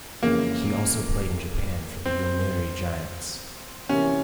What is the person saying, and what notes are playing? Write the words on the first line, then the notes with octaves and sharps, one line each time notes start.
He also played in Japan for the Yomiuri Giants.
F2 C#3 E3 G#3 A#3 C#4
C4
C3 E3 A#3 C#4 E4